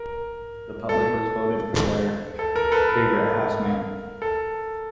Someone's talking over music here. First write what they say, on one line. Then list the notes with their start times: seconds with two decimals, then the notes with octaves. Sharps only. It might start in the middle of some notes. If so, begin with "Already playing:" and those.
The public was voted for their favourite housemate.
Already playing: A#4
0.89 A4
2.39 A4
2.56 A#4
2.72 A4 B4
2.89 A#4
4.22 A4